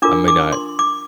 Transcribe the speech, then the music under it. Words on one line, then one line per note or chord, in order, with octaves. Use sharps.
I may not
D4 F4 A#4 D6
D6
C6
D6